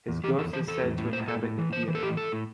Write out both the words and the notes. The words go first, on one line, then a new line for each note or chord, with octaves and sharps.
His ghost is said to inhabit the theatre.
E2
E3 G4
E2 A4
E3 C5
E2 A4
A2
A2
A2 C5
A2 A4
A2
E3
E3 C5
E3
A4
A2 G4
A2 A4
A2